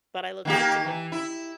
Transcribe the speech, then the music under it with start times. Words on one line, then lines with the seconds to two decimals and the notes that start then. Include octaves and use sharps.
But I look Mexican.
0.45 D#3 A#3 G4
0.85 E3
1.12 E4